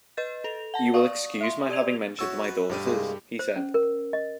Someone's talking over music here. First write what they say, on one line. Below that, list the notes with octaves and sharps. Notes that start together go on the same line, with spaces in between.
"You will excuse my having mentioned my daughters," he said.
B4 D#5 G6 A6
A4 F7
F#5 A5 A#6
D5 F5 C#6 D#6
E5 C6
G4 D5 G#6 F7
F#4 A4 C#5 E5 E6
B4 B5
D2 G2 D4 G4 F5 D#7
C2 G#3 A#3
C5
C#4
A#4
D#5